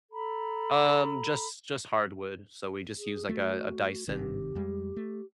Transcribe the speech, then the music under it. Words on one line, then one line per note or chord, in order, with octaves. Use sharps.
Um, just just hardwood, so, we just use, like, a a Dyson,
A4 A#5 B5
G#4
A3 F#4
G#1 C3 D#3 G4
F2 G3 G#3
A3